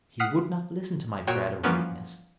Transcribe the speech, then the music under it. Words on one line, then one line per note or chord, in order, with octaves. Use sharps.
He would not listen to my prayer of weakness.
F#5 D#6 F6 B6 C7
A#2 F#4 C#5 G5
E3 F3 G3 A#3 B3 C#4